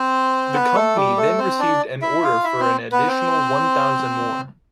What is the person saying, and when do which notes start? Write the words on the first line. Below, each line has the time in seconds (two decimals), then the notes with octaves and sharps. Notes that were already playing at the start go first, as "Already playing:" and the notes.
The company then received an order for an additional one thousand more.
Already playing: C4 C5
0.54 B3 B4
0.75 A3 A4
0.96 G3 G4
1.17 A3 A4
1.38 C4 C5
1.59 D4 D5
2.02 E4 E5
2.23 F4 F5
2.44 E4 E5
2.60 C4 C5
2.92 B3 B4
3.08 C4 C5